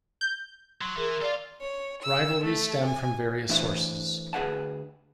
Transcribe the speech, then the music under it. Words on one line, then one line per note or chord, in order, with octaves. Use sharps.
Rivalries stem from various sources.
G6
F#3 C6
E3 G#4 A#4
F4 A4 D5
C#5
E6
A3
G#5
E3 A3 D4 C5 E5
D2 G#4 B4 F#5 A5